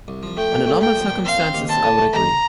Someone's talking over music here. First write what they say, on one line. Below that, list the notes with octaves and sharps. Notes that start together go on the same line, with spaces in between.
Under normal circumstances, I would agree.
C2
F3
A3 G5
A#2
A3
A#2 G5
F3
A#2
C4 F5
C4
D#2
C4 A5
D3
A3
D#2 A#5